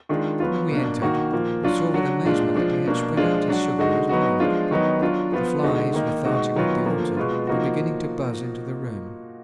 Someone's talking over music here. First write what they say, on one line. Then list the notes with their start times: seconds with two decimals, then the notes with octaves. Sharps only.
When we entered we saw with amazement that he had spread out his sugar as of old; the flies, lethargic with the autumn, were beginning to buzz into the room.
0.09 D#3 G#3 D4 F4
0.40 F#3 B3 F4
0.71 B2 A#3 D4
1.02 D#3 A#3 D#4 F#4
1.32 A#2 F3 A#3
1.64 F#3 D4 F4
1.94 F#3 D4 F#4
2.25 A#2 G#3 D4 F4
2.56 F3 G#3 D4 F4
2.87 B2 A#3 D4
3.17 F3 G#3 D4 F4
3.48 F#3 D4 F#4
3.78 D3 G#3 D#4 F#4
4.09 F#3 B3 D#4 F#4
4.40 F3 G#3 D4 F4
4.71 D#3 F#3 B3 D#4
5.01 F#3 D4 F4
5.32 F3 B3 F4
5.63 D3 G#3 D#4 F#4
5.94 D#3 A#3 D#4
6.25 B2 G#3 D#4 F#4
6.56 D#3 F#3 B3 F4
6.86 D3 F3 A#3
7.17 B2 G#3 B3 F4
7.47 F3 A#3 D#4 F#4